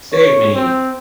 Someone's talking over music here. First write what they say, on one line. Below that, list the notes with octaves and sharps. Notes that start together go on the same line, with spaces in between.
Save me!
C#5
C4